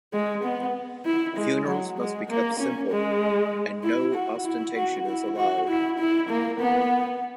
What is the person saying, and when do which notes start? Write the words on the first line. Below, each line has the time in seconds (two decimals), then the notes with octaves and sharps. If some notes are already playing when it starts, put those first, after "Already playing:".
Funerals must be kept simple, and no ostentation is allowed.
0.13 G#3
0.44 B3
1.06 E4
1.37 G#3
1.67 F#3
1.98 G#3
2.29 A#3
2.60 C#4
2.91 G#3
3.83 E4
4.15 F#4
4.44 E4
4.76 F#4
5.07 E4
5.37 F#4
5.68 E4
5.99 E4
6.29 A#3
6.60 B3